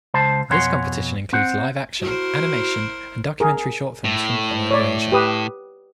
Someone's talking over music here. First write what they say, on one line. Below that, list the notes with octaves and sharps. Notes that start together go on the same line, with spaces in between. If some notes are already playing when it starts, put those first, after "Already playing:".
This competition includes live action, animation and documentary short films from all over Asia.
C#2 C5 A5
F2 B2 C#5 F#5 G#5 C6
C4 F#5
E4 F#4 A#4 C5
G#4 A#4
A2
C#5 D5
G4 B4 D#6